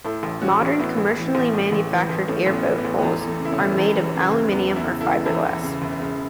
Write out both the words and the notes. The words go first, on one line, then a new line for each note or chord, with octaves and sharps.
Modern, commercially manufactured airboat hulls are made of aluminum or fiberglass.
A2 E4 A4
A1
E3 C#4 F#4
A1
A2 B3 E4
A1
E3
A1
A2
A1
E3
A1
A2 A3 C#4
A1 A3
B3
E3
B3
A1
B3
E2 A3
E3
A3
C#3 E4
A3 C#4
E1
E2
E3
C#3
E1
E2 B3
E3
B3 E4
C#3
E4 A4
E1
E2 E4 A4
E3
C#3
E1
C#3